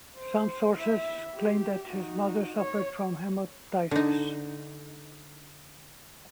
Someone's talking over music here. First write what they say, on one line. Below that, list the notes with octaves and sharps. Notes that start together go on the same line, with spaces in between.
Some sources claim that his mother suffered from hemoptysis.
C5
E4 E5
G4
D#4 F#4
C#5
D3 D#4